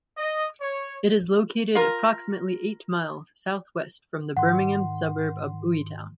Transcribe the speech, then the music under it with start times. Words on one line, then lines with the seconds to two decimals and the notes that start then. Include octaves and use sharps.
It is located approximately eight miles southwest from the Birmingham suburb of Hueytown.
0.18 D#5
0.60 C#5
1.75 F4 A#4
4.37 G#2 D#3 F#5 C6